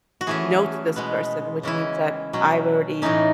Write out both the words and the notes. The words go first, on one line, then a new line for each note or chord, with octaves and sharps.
"no" to this person, which means that I've already
F#4
E3 A3 C#4 G#4
B2 G#3 B3
C#3 E3 G#3 C#4 E4
B2 F#3 C#4
A2 E3 A3 C#4 D#4